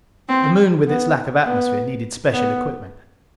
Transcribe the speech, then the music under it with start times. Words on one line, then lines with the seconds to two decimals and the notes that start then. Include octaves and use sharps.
The Moon, with its lack of atmosphere, needed special equipment.
0.29 C4
0.87 B3
1.44 B3
2.32 B3